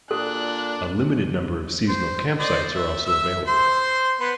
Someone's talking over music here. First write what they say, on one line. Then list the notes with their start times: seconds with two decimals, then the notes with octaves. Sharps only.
A limited number of seasonal campsites are also available.
0.11 A#2 D4 A4 F#6
1.89 C5
2.39 C5 D5 D#5
2.74 E5
3.06 E5 E6
3.47 C5 C6
4.20 B3 B4 C5